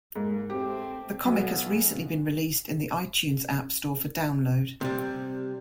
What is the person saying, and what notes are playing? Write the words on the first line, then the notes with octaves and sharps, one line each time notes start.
The comic has recently been released in the iTunes App store for download.
G#2 A#3
D#2 A3 C4 G4
B1 B2 B3
C3 G3